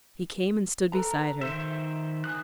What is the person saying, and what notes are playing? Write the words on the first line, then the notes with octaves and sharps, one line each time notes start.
He came and stood beside her.
A4 B4 A#5
D#3 C5 E5
G#5 D#6 F#6